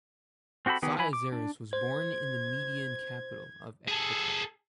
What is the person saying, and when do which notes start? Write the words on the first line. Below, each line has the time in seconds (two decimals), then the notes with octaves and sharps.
Cyaxares was born in the Median capital of Ecbatana.
0.66 C4 F#4 G4 A4 B5
0.82 D#3 B3 G4 G#4
0.98 E3 G#5 B5
1.13 D6
1.33 D4
1.73 C5 G#6
3.88 G#4 A4